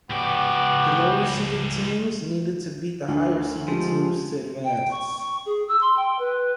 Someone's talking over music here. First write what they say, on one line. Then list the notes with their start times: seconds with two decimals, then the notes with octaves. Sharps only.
The lower seeded teams needed to beat the higher seeded team to advance.
0.10 C#2 B3 F#4 G4 D5
3.08 D2 D4
3.68 F3 G#3 G4
4.64 G5
4.90 C#6
5.18 C#6
5.45 G#4
5.68 E6
5.80 C6
5.96 G5
6.18 B4